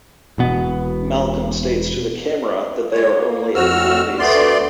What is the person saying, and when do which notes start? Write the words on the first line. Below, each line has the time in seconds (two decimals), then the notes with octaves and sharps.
Malcolm states to the camera that they are only at the nineties.
0.38 E1 B2 B3
2.92 G#3 C#5
3.15 A#3
3.55 F2 F#4 E6 F6
4.19 D2 A3 B3 D5 C6